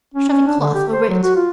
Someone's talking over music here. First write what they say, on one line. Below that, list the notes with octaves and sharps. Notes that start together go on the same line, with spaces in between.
Shove a cloth over it!
C#4
C#4
D4
D3
G4
C5
F#3
F#4
F4